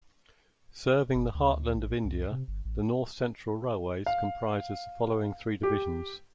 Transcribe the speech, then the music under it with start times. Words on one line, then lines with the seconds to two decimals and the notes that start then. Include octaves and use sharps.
Serving the heartland of India, the North Central Railways comprises the following three divisions.
1.15 F#1
1.35 D2
1.75 A1
2.05 C2
2.31 C3
2.48 G1
2.65 A1
4.06 F5
5.63 G4